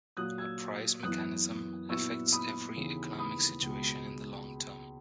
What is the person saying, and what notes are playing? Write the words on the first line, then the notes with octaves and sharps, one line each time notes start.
A price mechanism affects every economic situation in the long term.
A#2 F#3 A#3 D#6 F#6
E6 G#6
F#2 E3 B3 E4 D#6 F#6
A#2 F#3 B3 E4 C#6 E6
B5 D#6
D#2 C#3 E3 B3
B5 D#6
C#2 B2 G#3